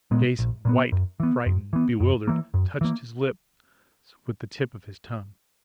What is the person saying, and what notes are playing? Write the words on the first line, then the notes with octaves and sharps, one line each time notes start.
Jason, white, frightened, bewildered, touched his lips with the tip of his tongue.
A#2 G#3 B3
A#1
A#2 G#3 B3
F#2
E3 B3
F#2
E3 B3
F#2
E3 A#3
F#2
E3 A#3